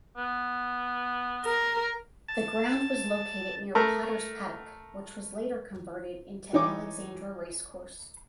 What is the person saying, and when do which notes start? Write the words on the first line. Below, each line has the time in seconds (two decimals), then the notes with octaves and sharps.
The ground was located near Potters Paddock which was later converted into Alexandra Racecourse.
0.17 B3
1.45 A#4
2.28 A5
3.75 A3 A#4
6.53 E3 D#4 C#5 D6